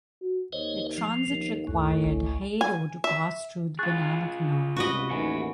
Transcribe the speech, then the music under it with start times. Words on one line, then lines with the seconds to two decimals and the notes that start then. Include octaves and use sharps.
The transit required "Haddo" to pass through the Panama Canal.
0.22 F#4
0.53 D#2 C5 C#5 D#5
0.98 F3
1.28 D#2 F3
1.67 C#2 F#2 A2
2.04 G#1 C#2
2.61 G#5
3.04 E5
3.79 F4 G#4 C#6 F#6 A6
4.77 C#2 G2 C3 F#4 B4 D#5
5.10 A1 D#2 F#5 G#5